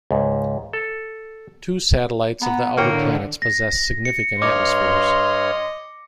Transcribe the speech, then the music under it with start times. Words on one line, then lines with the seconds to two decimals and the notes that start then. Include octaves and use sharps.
Two satellites of the outer planets possess significant atmospheres.
0.11 C#2 G#2
0.73 A4
2.42 B3 A#5 B5
2.77 A2 D3 A#3 C#5 G5 A#5
3.42 A#6
4.05 C#7
4.42 G2 C#5 D#5 C6 D6 F6